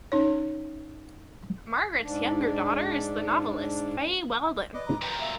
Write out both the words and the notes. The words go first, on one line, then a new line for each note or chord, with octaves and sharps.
Margaret's younger daughter is the novelist Fay Weldon.
C#4 D#4 C#5
G#2 D4
B4 D5 D#5 D6
A#5
F#2 A#2 B4 G5 A#5
A#3 E5